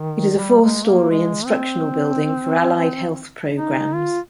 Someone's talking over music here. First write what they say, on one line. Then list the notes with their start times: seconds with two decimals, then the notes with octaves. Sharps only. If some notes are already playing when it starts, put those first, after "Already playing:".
It is a four-story, instructional building for allied health programs.
Already playing: D#3
0.38 G3
0.61 G#3
0.85 A#3
1.10 G#3
1.45 C4
3.58 D#4
3.95 F4